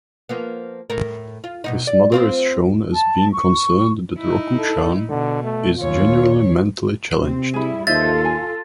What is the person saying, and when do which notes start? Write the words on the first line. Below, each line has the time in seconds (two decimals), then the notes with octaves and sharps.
His mother is shown as being concerned that Roku-chan is genuinely mentally-challenged.
0.29 F3 A#3 B3
0.90 A2 A#4
1.44 F4
1.64 G2 B2 D#4
1.87 D5
2.12 C4 F4 C5
2.92 A5
3.32 C#6
4.19 D#4 E4
4.58 A4
5.09 B2 D3
5.44 A3
5.78 D#2 F4 C#5
7.22 C3 C4
7.54 G3 E4 G#4 B5
7.87 D#2 D#4 F4 A4 C5 E5 A6
8.25 G#5